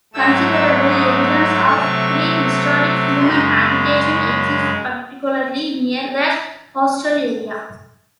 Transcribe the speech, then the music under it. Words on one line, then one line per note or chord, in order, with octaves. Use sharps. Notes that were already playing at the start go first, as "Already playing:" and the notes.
Considerable evidence of prehistoric human habitation exists particularly near the coastal area.
G#2 F#3 A3 E6
E6
D#6
C3 F#3 A3 C#6
F#2 C#3 G#3 C6
C6